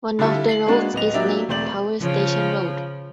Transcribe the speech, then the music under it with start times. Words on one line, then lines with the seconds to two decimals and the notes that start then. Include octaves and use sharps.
One of the roads is named Power Station Road.
0.19 D3 G3 E4 F4 A4
0.49 C7 F#7
0.67 G#3 A#3 B3 D4 F#4
0.93 D1 B3 D#5 F7
1.14 F#3 A#3 D4 G4 D5 E5
1.49 E1 A3 C4 C5 D5 F#7
2.00 C#3 F3